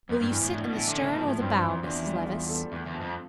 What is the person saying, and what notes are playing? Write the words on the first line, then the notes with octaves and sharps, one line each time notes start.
"Will you sit in the stern or the bow, Mrs. Levice?"
F2 B3
G2
G2 E3
A2
A2 D4
B2
A2 E3
D3
C3 A3
B2 F3
A2
G2 C4
G2
F4
F2
E2 D4
G3
F4
A4
E2 A3
E2
F3
F2